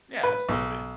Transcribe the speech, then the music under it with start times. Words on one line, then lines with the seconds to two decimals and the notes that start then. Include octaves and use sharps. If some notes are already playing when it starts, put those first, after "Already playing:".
Yeah, absolutely.
0.24 B4
0.49 B1